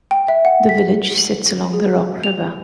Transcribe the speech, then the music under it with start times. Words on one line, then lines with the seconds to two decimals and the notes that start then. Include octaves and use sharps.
The village sits along the Rock River.
0.11 G5
0.28 E5
0.45 F#5
0.69 B6
1.18 F#7
1.73 G#4
2.23 F7